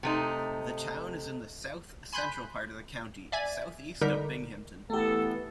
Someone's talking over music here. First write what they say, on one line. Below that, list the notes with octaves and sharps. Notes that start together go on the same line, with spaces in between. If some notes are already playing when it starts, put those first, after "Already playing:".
The town is in the south-central part of the county, southeast of Binghamton.
C3 A3 D#4
G#5 B5 C6 F#6 G6 B6
D5 E5 G#5 G#6
D3 G3 D#4 A#4 B6
E3 A3 B3 G4 A4